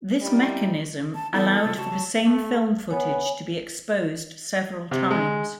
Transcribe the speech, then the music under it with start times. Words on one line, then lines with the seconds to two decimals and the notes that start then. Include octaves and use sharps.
This mechanism allowed for the same film footage to be exposed several times.
0.22 G3 D#4 E4
1.14 A5
1.34 E3 B3 E4 A4
1.65 C3 G3 F4
1.77 C#3 F#4 A5
1.92 F#3
2.25 A3
2.91 B3 C#5 G#5
4.91 C3
5.11 G#3